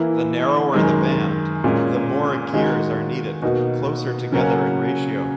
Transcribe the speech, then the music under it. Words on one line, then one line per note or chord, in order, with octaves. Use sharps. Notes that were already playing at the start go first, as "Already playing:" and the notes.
The narrower the band, the more gears are needed, closer together in ratio.
Already playing: E3 A#3 E4
F#2 D#3 G#3
A#2 G#3 C#4
D#3 G#3 D#4 F#4
B2 A#3 D#4 F#4
C#3 F#3 A#3 C#4 F#4